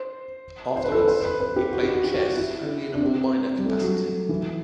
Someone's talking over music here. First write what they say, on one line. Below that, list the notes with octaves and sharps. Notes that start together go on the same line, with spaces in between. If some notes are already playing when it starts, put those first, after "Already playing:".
Afterwards, he played chess only in a more minor capacity.
Already playing: C5
C5
B4
A4
B4
C5
B4
B4
G4
F#4
G4
F#4
G4
F#4
E4
D4
C4
G3
A3
F#3
E3